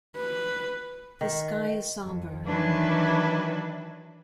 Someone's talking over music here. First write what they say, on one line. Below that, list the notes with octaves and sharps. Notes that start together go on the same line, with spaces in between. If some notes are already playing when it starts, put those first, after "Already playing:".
The sky is somber.
B4
D#3
F2
D#3 E3 F#3 D4 E4 B4